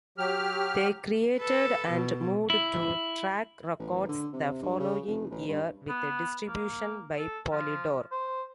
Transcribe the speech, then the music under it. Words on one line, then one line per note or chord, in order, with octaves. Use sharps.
They created and moved to Track Records the following year with distribution by Polydor.
F#3 G4 F6
A4 B4
B2
E4
A1
D3
C3
G2
C#3
F1
A1
G2
B3
A#3
A4
F3
C5